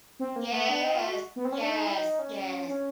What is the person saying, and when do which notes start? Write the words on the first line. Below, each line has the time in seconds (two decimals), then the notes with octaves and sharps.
Yes. Yes, yes.
0.19 C4
0.36 A#3
0.53 A3
0.69 D4
0.81 D#4
0.95 F4
1.06 F#4
1.36 B3
1.45 C4
1.52 C#4
1.61 D4
1.69 D#4
1.86 E4
1.94 D#4
2.19 C#4
2.68 C#4